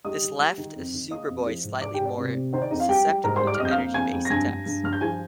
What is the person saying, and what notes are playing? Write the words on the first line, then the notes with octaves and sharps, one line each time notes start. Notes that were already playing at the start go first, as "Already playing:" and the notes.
This left Superboy slightly more susceptible to energy-based attacks.
G3 D#5 D#6
D#3
G3
D#3
F2
D#3
A#3 D#5 D#6
F2
F3
G#2
G#2 D5 D6
G4 G5
G#2
D5
C3
C3
D#3 C5
D5
F2 D#4 D#5
F4 F5
G3 G4 G5
G3
G#2 A#4 A#5
C5 C6
G3
D5 D6
F6
F2 D#5 D#6
G6
F5 F6
A#3
F2 G#5 G#6
F2
A#6
G2 G#5 G#6
G2
G2
G2 F6
G6
F3 G#5 G#6